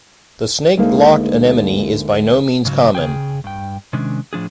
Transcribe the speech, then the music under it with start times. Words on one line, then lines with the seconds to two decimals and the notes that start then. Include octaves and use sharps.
The snake-locked anemone is by no means common.
0.77 D2 D3 G#3 A#3 D#4 F5
2.65 G#2 C#3 F#3
2.95 C#3 G#4 G5
3.44 G2 G5
3.93 C3 D#3 G#3 C#4 D4
4.33 A2 F3 D4 G#4